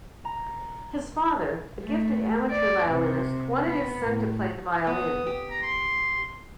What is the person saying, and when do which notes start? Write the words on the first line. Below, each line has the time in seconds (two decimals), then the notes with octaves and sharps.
His father, a gifted amateur violinist, wanted his son to play the violin.
0.25 A#5
1.82 A3
2.50 D5
2.89 C3
3.65 B3
4.03 A2
4.87 B3 D#6
5.27 G4
5.51 A#5
5.63 C6